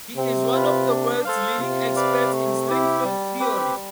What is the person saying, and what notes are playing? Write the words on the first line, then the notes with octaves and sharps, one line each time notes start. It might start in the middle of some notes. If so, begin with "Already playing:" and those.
He is one of the world's leading experts in string field theory.
C3 C4
F4 B4
D4
A4 C5 F5
C3 F4
B4 D5 F5
A3
E4 G4
G3
C4 G4 B4
G3